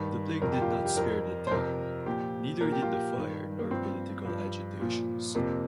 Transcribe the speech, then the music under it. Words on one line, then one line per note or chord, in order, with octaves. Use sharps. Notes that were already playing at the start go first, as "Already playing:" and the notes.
The plague did not spare the town, neither did the fire nor political agitations.
Already playing: G2 D#3
F2 C3 F3 A#4
G4
F4
G4
G4
F2 F3 A#4
C5
F2 C3 F3 A#4
A#2 F3 G4
A#2 F3 A#4
G4
F4
G4
G2 D#3
A#3
G2 F3 C4
G2 F3
A#2 F3
F2 C3 F3 A#3